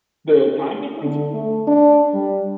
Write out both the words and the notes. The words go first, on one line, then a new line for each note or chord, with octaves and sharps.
The time difference?
D3
A3
D4
G3